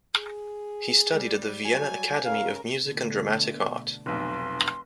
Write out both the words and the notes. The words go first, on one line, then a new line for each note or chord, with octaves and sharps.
He studied at the Vienna Academy of Music and Dramatic Art.
G#4
G3
F#3 G3 G#5
C#3 A#4 F5
B2 D3 A3
F1 B1 C6